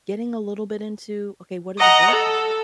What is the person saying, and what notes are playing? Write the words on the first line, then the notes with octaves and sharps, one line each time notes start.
getting a little bit into, "Okay, what is abortion?"
D#5 F#5 A#5
A4